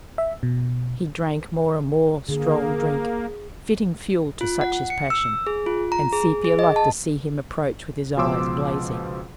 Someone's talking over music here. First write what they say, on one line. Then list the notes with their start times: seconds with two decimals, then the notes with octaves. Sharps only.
He drank more and more strong drink, fitting fuel to such his passion, and Sepia liked to see him approach with his eyes blazing.
0.18 E5
0.43 B2
2.29 D3 A#3 G#4
4.41 F4
4.61 F#5
4.90 C#7
5.10 E6
5.47 G#4
5.66 F4
5.92 A#5
6.13 G#4
6.44 G#4
6.59 D#5
6.76 A5
8.17 C#2 B2 F3 C6 D6 E6